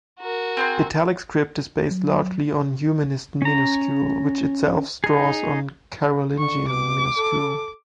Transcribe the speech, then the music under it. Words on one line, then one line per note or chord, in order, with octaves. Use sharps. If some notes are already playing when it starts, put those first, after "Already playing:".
Italic script is based largely on Humanist minuscule, which itself draws on Carolingian minuscule.
F#4 A#4
C4 G#4 C6
F#3
C#4 A#5
D#4 G#4
D3 C#6
B2 D6
A4